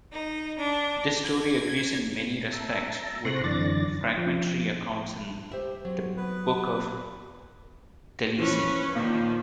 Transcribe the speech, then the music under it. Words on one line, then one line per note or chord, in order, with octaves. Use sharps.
This story agrees in many respects with fragmentary accounts in "The Book of Taliesin".
D#4
D4
G#6
E5 A5 A#5
C3 C4 C6 C#6 F#6 A#6
F#2 D3 E3 D5 A6 A#6
F3
G4 C5 E5
F#3 C4
B3 B4
E3 F3 C#4 B4
A#2 D#3 F3 F5 D6 G6